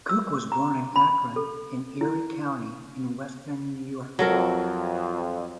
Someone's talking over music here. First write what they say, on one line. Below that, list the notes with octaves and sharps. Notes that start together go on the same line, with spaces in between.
Cook was born in Akron, in Erie County, in western New York.
E6
A#5
B5
A4
E4
F2 F#3 A4 A#4